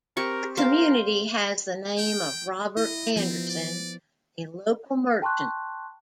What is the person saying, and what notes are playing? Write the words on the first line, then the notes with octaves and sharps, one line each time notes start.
The community has the name of Robert Anderson, a local merchant.
C4 G4 A#4 C#6
A#4 C5 F5
G5
E4 D#5
F3 B3 C4
D5
G5 A5 C6 C#6 F#6